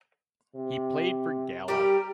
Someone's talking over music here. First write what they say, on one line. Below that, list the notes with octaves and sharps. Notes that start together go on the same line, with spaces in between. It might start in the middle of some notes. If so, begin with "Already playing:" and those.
He played for Gala.
C3
G3 G4 A#4